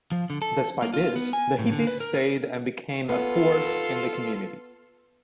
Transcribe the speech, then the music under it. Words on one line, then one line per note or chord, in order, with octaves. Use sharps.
Despite this, the hippies stayed and became a force in the community.
F3
D3
A4
A#3
F4
B3
G#5
A2
D3
B4
A#4
B3 F4 A4